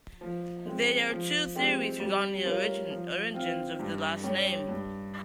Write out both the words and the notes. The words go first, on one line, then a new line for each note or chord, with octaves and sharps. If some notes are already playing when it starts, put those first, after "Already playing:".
There are two theories regarding the origins of this last name.
F3
G#3 C4
F3
G#3 C4 G4
G3
C#4 F4 A#4
F3
C4 F4
G2
G3 C#4 G4
G2